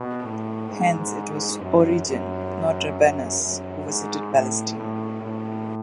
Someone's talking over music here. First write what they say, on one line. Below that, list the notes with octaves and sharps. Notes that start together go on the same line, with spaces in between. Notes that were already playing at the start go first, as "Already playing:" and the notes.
Hence, it was Origen, not Rabanus, who visited Palestine.
Already playing: B2
A2
G#2
F#2
F#2
F#2
G#2
A2
A2
A2